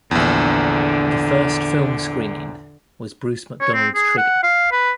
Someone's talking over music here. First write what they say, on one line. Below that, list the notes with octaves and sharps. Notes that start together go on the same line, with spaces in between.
The first film screening was Bruce McDonald's "Trigger".
A#1 E2 D3
C#5
C4
G#4
F#5
F5
B4